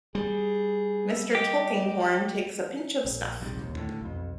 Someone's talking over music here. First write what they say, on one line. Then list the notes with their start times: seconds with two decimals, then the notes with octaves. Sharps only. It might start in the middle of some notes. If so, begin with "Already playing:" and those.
Mr. Tulkinghorn takes a pinch of snuff.
0.15 G3 G#4
1.09 E5
1.35 G4 D#5
3.05 A#1
3.41 A#1 D#2 C3 G3
3.61 D#1 D#2
3.77 A2 D3
4.01 B1 F2